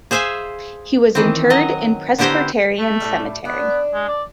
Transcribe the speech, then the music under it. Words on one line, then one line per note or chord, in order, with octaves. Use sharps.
He was interred in Presbyterian Cemetery.
G#4 C5 E5 F5 G#5
D#3 E3 C4
F#3 D#5
D3 B3 E4 G4 C5 A#5
A3
A2 C#3 G3
B3 D4
G#3
D5